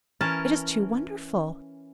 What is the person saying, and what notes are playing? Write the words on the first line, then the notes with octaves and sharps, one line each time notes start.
It is too wonderful.
E3 C#4 A#4 A5